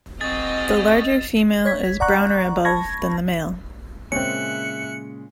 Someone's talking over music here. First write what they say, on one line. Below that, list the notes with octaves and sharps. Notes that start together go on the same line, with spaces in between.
The larger female is browner above than the male.
C4 F#4 G#4 D#5 F6 A6
C#5 G#6 B6
D5 F#5 A#5 C#6 F#6
A5 B5 C#6 G#6 A#6
A#2 C#3 G#3 C4 C#4 E5 F#6 C#7